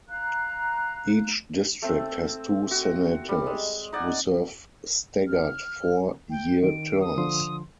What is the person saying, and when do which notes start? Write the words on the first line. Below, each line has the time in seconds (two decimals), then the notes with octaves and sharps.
Each district has two senators who serve staggered four-year terms.
0.08 F5 A#5 F#6
1.82 A3 C4
2.71 F#4
3.29 G3
3.46 G#3
3.93 D#4 D5 F#5 G#5
5.27 F6
6.30 G5
6.63 D#3 D7
7.01 D#6
7.18 D3 F3 C6